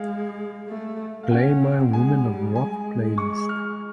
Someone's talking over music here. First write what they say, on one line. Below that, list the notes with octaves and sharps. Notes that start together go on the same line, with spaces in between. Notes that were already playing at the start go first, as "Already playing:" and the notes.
Play my Women of Rock playlist.
Already playing: G#3 F5
A3
F5
C#4 F#5
C4
G#3 G#5
G3
G#3 G#5
C#6
F6